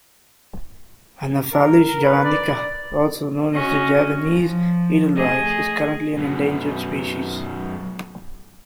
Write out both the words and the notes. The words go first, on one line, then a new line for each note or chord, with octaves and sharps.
"Anaphalis javanica", also known as the Javanese Edelweiss, is currently an endangered species.
A#4
A#4
B4
D5
C#4 F#4 D#5
F3
A3 G#4 D#5
F#2 B2